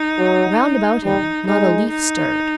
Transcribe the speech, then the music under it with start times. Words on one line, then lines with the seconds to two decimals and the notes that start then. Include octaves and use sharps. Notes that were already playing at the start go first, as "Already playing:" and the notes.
Round about him, not a leaf stirred.
Already playing: D#4
0.19 F#3
1.04 G3 D#4
1.47 G#3 D#4
1.90 D#4